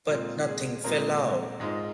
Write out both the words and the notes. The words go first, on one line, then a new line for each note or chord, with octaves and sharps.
But nothing fell out.
A#2 G#3 C4 F4 A#4
G#4
A#2 G#3 C4 F4 A#4
G#2 G#3 F4